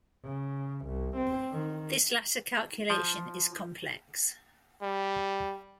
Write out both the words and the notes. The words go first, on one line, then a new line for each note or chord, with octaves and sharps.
This latter calculation is complex.
C#3
C2
C4
D#3
F3
G3